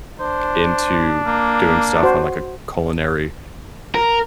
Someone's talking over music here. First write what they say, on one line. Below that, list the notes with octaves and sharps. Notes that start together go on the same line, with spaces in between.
into doing stuff on, like, a culinary
D4 C5
A#3
F#4 C5
A#4